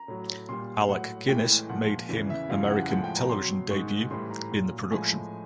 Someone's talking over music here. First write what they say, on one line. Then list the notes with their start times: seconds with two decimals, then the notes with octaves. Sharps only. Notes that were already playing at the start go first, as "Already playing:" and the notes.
Alec Guinness made him American television debut in the production.
Already playing: A#5
0.08 A2 F#3
0.49 A#2 G3 C6
0.88 A2 F#3 F#5
1.28 A2 E3 G#3 G5
1.69 A#2 F3 G#3 F#5
2.09 E2 C#3 E3
2.30 E5
2.49 F2 C#3 E3 G3 F5
2.64 F#5
2.76 F#5
2.89 A2 F3 G#3 F#5
3.04 G5
3.16 A#5
3.30 B2 F#3 C6
3.70 G#2 D#3 G#3 C#6
4.11 A2 E3 G3 C6
4.30 A#5
4.52 A#2 F#3
4.91 A2 F3 G#3 G#5